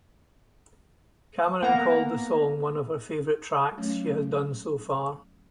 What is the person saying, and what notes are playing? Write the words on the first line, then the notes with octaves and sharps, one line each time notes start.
Cameron called the song "One of her favourite tracks she has done so far".
A#3 B3 F#5 A#5
F#3 A3 C#4